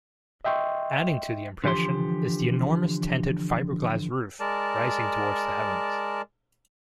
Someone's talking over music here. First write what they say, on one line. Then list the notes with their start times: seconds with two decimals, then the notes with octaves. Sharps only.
Adding to the impression is the enormous tented fiberglass roof rising towards the heavens.
0.45 D#5 E5 G5 C6 C#6
1.64 D3 E3 F3 G4 C6
4.40 G#3 A#4 D5 A5